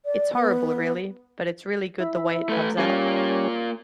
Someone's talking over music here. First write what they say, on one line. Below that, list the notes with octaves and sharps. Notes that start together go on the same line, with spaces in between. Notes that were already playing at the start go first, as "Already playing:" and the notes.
It's horrible really, but it's really good the way it comes out.
D5
B3
E4
A3 B4
G3 A#3 C#4 F4